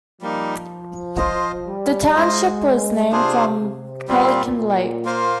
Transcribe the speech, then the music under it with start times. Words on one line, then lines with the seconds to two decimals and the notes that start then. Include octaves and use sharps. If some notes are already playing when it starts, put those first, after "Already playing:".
This township was named from Pelican Lake.
0.21 F3 G3 A#3 D#4
1.17 F4 C5 D#5
1.66 G3
2.14 G#3 F4 C5 D#5
3.11 C3 D4 F4 G#4 C5
3.60 C3
4.08 A#2 G3 C4 F4
4.56 A#2
5.05 A#3 F4 C5